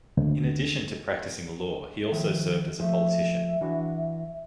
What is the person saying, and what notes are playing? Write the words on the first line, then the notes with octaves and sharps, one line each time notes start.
In addition to practicing law, he also served as a politician.
D2
D#3 F3 E5
F3 A3 E5
E3 D4 F#4